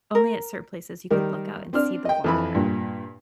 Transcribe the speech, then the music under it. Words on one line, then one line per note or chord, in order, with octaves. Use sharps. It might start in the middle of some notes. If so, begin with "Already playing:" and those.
only at certain places- you could look out and see the water.
A#4
D#3 G3 A#4
C4 D4 F6
D#5 G5
F2 E3 B5
G2 A#2